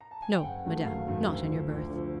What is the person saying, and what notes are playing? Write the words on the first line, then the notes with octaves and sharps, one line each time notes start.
"No, madame, not in your berth."
A#5
A5
G#5
G5
F#1 F#5
F#2 D#3 F#3 A3
F#1 F5
F#2 D#3 F#3 A3
D2
D3 F3
D2
D3 F3